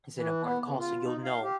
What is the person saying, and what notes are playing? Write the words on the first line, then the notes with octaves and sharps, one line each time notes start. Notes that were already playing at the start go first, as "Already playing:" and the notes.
It's an important call so you'll know
E3
B3
C#3
F4
D#4
F5
G4